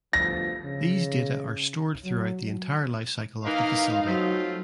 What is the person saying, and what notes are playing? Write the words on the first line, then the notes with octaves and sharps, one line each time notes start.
These data are stored throughout the entire life cycle of the facility.
G1 D2 F3 A#6
C#3
F#3
E3 A#3 D#4 A#4 F5
F#3 A3 C4 F4